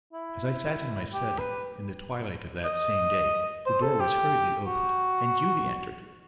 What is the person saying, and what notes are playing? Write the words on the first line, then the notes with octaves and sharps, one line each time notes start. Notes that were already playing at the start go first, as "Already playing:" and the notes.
As I sat in my study, in the twilight of that same day, the door was hurriedly opened, and Judy entered.
E4
G4
B4
D#5
C5
A4
G4
F#4